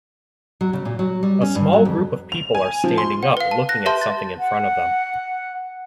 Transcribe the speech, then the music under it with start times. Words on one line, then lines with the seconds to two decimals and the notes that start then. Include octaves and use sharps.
A small group of people are standing up looking at something in front of them.
0.61 F#3
0.73 C#3
0.85 A#2
0.99 F#3
1.23 G3
1.41 C#4
1.55 G2
1.73 F#3
1.85 F2
2.32 F7
2.55 G#5
2.84 F3
2.98 C6
3.23 F#5
3.37 B4 F5
3.51 A5
3.69 F#6 A#6
3.86 G4 B4 E5 A5 C6 G6
4.01 A6
4.39 F#5